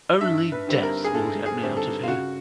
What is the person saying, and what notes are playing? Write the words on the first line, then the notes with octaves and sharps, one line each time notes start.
Only death will get me out of here.
G2 E5
B4
D3 G3 C4
A#4
G#4
G2 A4
G#4
D3 G3 C4
A4
F4
C#3 F#4